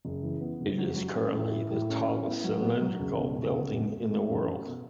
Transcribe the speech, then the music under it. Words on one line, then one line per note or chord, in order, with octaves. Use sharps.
It is currently the tallest cylindrical building in the world.
F#1
E3
B3
F#1
F#3
F#3
C#4
A2
E4
A2
C#4
E4
B3
F#3
B3
F#3
C#2
B2
C#2
B3
G#1
A3
A3
F#2
F#4
B2